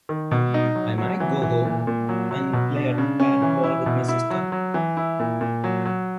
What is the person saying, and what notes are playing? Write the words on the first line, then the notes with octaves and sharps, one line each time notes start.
I might go home, and play at patball with my sister.
D#3
B2
D#4
F#3
F#3
E3
E3
A#2
A#2
F#3
F#3
B2
D4
C#3
C#4
E3
E4
B2
E4
F#3
F#3
E3
E4
A#2
A#2
F#3
F#3